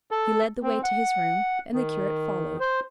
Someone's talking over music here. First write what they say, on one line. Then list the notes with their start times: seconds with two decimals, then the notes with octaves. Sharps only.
He led the way to his room, and the curate followed.
0.11 A4
0.63 C4
0.83 F#5
1.74 D#3
2.60 C5